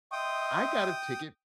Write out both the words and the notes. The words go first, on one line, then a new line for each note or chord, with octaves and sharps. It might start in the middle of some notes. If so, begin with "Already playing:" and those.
I got a ticket
D#5 E5 G5 C6 D#6